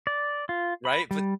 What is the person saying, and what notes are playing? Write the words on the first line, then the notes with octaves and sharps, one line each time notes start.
Right, but
D5
F4
B5
G3